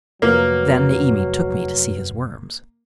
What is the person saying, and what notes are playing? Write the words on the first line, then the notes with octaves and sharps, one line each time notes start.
Then Niimi took me to see his worms.
F1 F#3 A#3 B4 F6